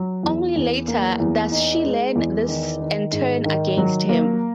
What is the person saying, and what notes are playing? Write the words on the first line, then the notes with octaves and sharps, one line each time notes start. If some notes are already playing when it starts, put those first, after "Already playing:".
Only later does she learn this and turn against him.
Already playing: F#3
E2
E2
A#3
E2
D#4
G#3
E2
D#3
D#3
G#2
D#3
F#3
A#3